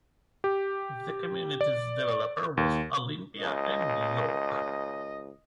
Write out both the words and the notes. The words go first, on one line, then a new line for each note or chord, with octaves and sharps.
The community's developer was Olympia and York.
G4
D5
D#2
C#2 D#5